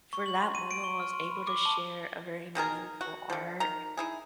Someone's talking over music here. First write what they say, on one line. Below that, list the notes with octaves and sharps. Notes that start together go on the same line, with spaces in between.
for that moment, while I was able to share a very meaningful art,
C#6
F#7
C6
D#7
D7
C#6
F6
C6
B5
D6
A5
B2 D#3 G#4 A#4
F#4
D3 F3
D#3 A#5
D#4 E4 G#4